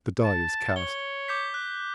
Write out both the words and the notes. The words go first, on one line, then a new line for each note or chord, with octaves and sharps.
The die is cast.
A5
C#5 G7
D6 G6 B6
F#6